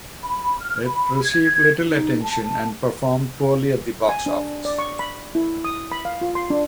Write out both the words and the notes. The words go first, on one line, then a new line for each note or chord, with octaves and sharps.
It received little attention and performed poorly at the box office.
B5
F6
B5
G#6
D#4
A5
G#5
D4
D5
C#6
B5
E4
D#6
B5
F5
F4
C6
D4